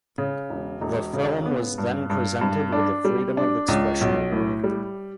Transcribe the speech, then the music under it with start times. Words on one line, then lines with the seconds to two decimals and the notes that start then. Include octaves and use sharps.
The film was then presented with the Freedom of Expression Award.
0.18 C#3
0.50 E1
0.81 E1
1.13 C#3
1.46 B3
1.78 G2
2.10 G2
2.41 G2
2.72 D4
3.05 G3
3.37 D4
3.68 C#2
4.01 B1
4.32 A2
4.64 G3